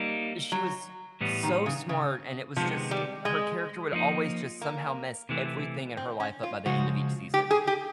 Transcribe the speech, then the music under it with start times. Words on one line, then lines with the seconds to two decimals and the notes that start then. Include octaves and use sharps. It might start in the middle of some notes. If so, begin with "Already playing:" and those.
she was s so smart, and it was just her character would always just somehow mess everything in her life up by the end of each season.
Already playing: G3 A#3 D#4
0.52 F#3
1.21 A2 E3 G3 B3
1.43 D#3
1.66 C#3
1.89 C#3
2.56 C3 D#3 F3 G#3 B3
2.91 G3
3.25 G#3
3.93 F3 A#3 D#4
4.61 A#3
5.29 C3 E3 A3
5.97 C4
6.20 C#4
6.43 F4
6.66 C#3 F3 G#3 F#4
7.34 G4
7.51 G#4
7.67 G4